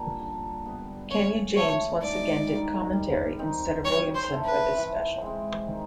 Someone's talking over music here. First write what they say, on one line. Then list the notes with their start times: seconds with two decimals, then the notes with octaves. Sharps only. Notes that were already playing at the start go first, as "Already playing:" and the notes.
Kenna James once again did commentary instead of Williamson for this special.
Already playing: A#2 G3 A#3 D4
0.20 D3
0.65 G3 B3
1.11 C#3 C#5
1.56 F3 A3 C#5
2.02 G#2 D5
2.47 D#3 G3
2.93 G3
3.39 C4 D#4
3.84 G3 C#5
4.15 C5
4.31 C4 E4 A4
4.45 B4
4.76 E3
5.21 G#3 C4
5.68 D#3